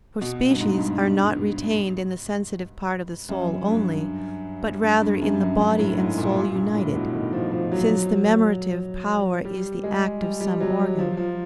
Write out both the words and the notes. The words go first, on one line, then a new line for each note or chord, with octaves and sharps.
For species are not retained in the sensitive part of the soul only, but rather in the body and soul united: since the memorative power is the act of some organ.
B2
G2
G#2
G2
F#2
G2
G2
G2
F#2
G2
F#2
G2
A2
G#2
A#2
A#2
G2
A2
B2
D#3
F3
F3
F#3
G3
G#3
G3
G3
F#3
F3
F3